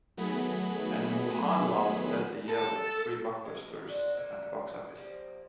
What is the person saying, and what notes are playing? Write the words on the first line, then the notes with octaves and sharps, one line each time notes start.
And mohanlal led the year with three blockbusters at the box office.
D#3 F#3 A3 B3 G#4 B5
A4
G#3
D4 F#4 C5
D3 A#3 E5
F3 G3 A#3